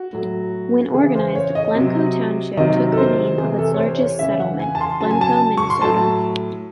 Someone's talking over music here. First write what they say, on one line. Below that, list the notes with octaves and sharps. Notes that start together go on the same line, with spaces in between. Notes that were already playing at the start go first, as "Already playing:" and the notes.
When organized, Glencoe Township took the name of its largest settlement: Glencoe, Minnesota.
Already playing: F#4
A2 F#3
C#3 E3 G#4
C5
C#5
D#5
C3 F#3
C3 D#3 F#3 D#5
A4
C5
C3 E3 G#4
A4
C#5
C5
C#5
C#3 E3 E5
F#5
G#5
A5
C6
C#3 F#3 A5
G#5
A5
C#6
C6
A2 F#3 A5